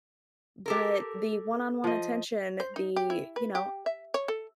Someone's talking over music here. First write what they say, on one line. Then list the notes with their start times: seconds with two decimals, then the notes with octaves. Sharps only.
But the one-on-one attention, the, you know
0.66 G4 A4 A#4
1.84 F3 D#5
2.60 C5
2.76 D#4
2.96 G4
3.10 E4
3.36 B4
3.55 G4
3.86 E5
4.14 C#5
4.28 A4